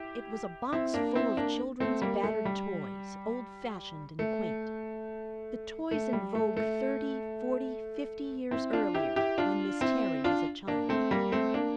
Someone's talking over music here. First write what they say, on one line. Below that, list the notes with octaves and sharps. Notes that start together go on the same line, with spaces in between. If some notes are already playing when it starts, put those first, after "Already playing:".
It was a box full of children's battered toys, old-fashioned and quaint; the toys in vogue thirty--forty--fifty years earlier, when Miss Terry was a child.
Already playing: E4 G4
C4 E4
A#3 D4
C4 E4
A#3 D4
A3 C4
G3 A#3
A3
G3
A3
A3
G3
A3
A3
C4 E4
D4 F4
E4 G4
E4 G4
D4 F4
C4 E4
D4 F4
A#3 D4
A3 C4
G3 A#3
A3 C4
A#3 D4